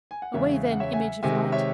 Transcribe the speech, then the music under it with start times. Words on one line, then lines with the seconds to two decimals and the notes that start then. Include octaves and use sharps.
Away, then, image of light!
0.11 G#5
0.22 F#5
0.34 E2 C#3 G#3 C#5 E5
0.64 E5
0.72 F#5
0.80 C#5 E5
0.93 E5 G#5
1.23 C3 D#3 G#3 E5 G#5
1.52 C#5 E5